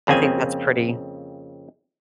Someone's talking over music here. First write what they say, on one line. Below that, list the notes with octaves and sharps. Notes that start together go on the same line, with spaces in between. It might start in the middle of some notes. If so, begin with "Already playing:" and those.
I think that's pretty.
F2 C#3 A#3 C4 G#5